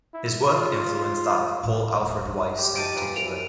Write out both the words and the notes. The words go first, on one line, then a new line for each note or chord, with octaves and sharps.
His work influenced that of Paul Alfred Weiss in particular.
E4
F4
A2
D1
D#4
G4
F3 D#4 A5 D7 D#7
E3 B3 F4
C2 D7 F7